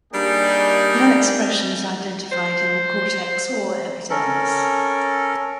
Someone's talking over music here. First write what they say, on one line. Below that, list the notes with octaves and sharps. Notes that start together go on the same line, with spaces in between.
No expression was identified in the cortex or epidermis.
G3 A#3 D4 D#4 G#4
C5
C#4 A4 A#4